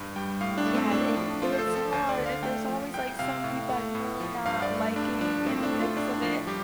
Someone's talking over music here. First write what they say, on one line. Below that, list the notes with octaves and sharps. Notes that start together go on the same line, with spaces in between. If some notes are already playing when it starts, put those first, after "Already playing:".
Yeah, th it it's hard, it there's always, like, some people I'm really not liking in the mix of it.
Already playing: G2
G3 G5
A2 F5
D4
A3
C4
A2 D4
F3 D4
A3 F4
C5
A4
F3
A4
D2 C5
D5
D3
F5
A3 G5
F3
C2 G5
C3 F5
A2
A3
A2
F3
G2 F5
D5
A3
G2 D4
F3 D4
A2 C4
D4
A3
F4
A2 D4
D4
F3
G3 G4